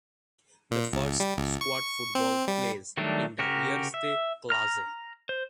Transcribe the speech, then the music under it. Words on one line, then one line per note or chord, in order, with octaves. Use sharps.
The first squad football plays in the Eerste Klasse.
A#2
C#2
G3
C#2
C#6
C4
G3
D#3 F#3 G3 A3 D4
C#3 F#4 G4 A#4
E5
A#5 F6
C5